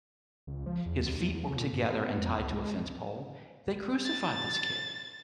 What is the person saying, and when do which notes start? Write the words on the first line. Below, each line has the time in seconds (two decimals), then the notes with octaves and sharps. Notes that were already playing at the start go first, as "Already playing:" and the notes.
his feet were together and tied to a fence pole, they crucified this kid
0.47 C#2
0.66 F3
0.86 E2
1.03 D2
1.20 E2
1.44 C#3
1.56 A#2
1.73 G2
1.89 B3
2.18 F2
2.38 C#2
2.52 G#3
4.05 A6